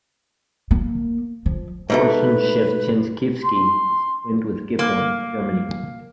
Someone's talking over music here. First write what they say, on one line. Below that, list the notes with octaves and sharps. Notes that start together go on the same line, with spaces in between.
Korsun-Shevchenkivskyi is twinned with Gifhorn, Germany.
A#3
F3
G#2 B2 A3 B4
C6
A#3